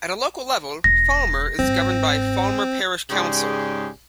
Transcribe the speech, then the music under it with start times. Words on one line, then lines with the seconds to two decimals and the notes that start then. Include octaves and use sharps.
At a local level Falmer is governed by Falmer Parish Council.
0.84 E1 A#6
1.59 G1 G#2 C4
3.11 G#2 C#3 G4 G#4 D5